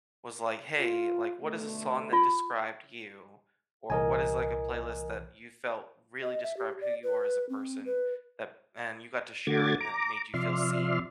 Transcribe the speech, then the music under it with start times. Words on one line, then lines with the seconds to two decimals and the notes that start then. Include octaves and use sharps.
was like, "hey, like what is a song that described you, or what is like a playlist that you felt really described who you are as a person," that and you got to share it and it made you feel seen?
0.78 F4
1.42 B2 D3 A3
2.13 F4
3.90 C2 A#2 E3 A#4 D#5 G#5
6.23 D#5
6.43 E5
6.57 G4
6.81 D5
7.03 B4
7.49 C4
7.86 B4
9.47 D3 A3 F#4 D6 G#6 A6
9.81 A#5 D6
10.34 C3 F3 D5 E5 C6 F6